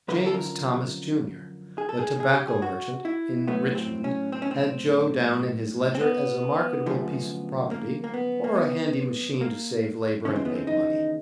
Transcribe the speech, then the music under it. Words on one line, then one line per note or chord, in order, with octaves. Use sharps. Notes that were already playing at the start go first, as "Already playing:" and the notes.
James Thomas, Jr., a tobacco merchant, in Richmond, had Joe down in his ledger as a marketable piece of property, or a handy machine to save labor, and make money.
F#2 D3 F3 B4
A#4
A4
A#4
G#4
A4
G#4
G#4
G4
G#4
F#4
E4
A2 F#3 A3 B3
C4
C#4
C4
C#4
C4
C4
B3
F#2 D3 F3 A3
A#3
A#3
B3
A#3
B3
A#3
D#2 C#3 E3 C#4
C4
B3
C4
D#4